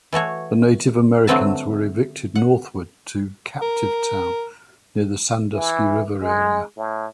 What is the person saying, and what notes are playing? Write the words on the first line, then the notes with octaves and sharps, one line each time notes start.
The Native Americans were evicted northward to "Captive Town" near the Sandusky River area.
E3 A3 F#4 C#5
D3 F#3 A3 C4 B4 A5
F#5
A#4
E3
G#3
A2